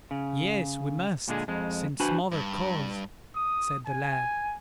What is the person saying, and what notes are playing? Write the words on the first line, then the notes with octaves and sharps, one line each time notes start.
'Yes, we must, since mother calls', said the lad.
C#3
A#2 D3 G#3 G#4
F2 G#3
D4 F#4 B4 C5 G#5 B5
G2
D#6
G#5